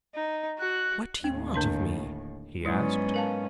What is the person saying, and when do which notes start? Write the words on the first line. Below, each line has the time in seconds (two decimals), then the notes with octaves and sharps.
"What do you want of me?" he asked.
0.14 D#4
0.59 F#4 F#6
1.24 D#2 A2 C4
1.54 D3 D4 C6
2.65 G#2 F#3 B3 C#4 E4
3.14 A#4 F5 A5